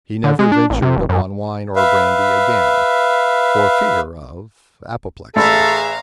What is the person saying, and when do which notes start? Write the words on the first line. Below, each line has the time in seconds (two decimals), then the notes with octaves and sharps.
He never ventured upon wine or brandy again for fear of apoplexy.
0.24 D3
0.39 G#3
0.52 D4
0.70 A1
0.82 C3
0.97 D1
1.09 F#2
1.76 B4 E5 F5
5.36 A1 G#4 A4 B4 E5 F5 A#5 B5